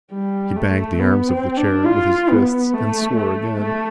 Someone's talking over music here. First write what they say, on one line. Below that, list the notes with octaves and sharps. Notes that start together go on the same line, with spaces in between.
He banged the arms of the chair with his fist, and swore again.
G3
A3
B3
C4
D4
F4
B3
A3
A3
A3